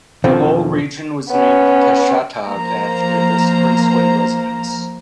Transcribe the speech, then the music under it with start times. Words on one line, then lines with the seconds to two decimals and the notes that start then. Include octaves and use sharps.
The whole region was named Kashatagh after this princely residence.
0.24 E2 B2 D3 D#3 F3 C4
1.31 B3 C#4
2.49 F3 A#3 C5 A#5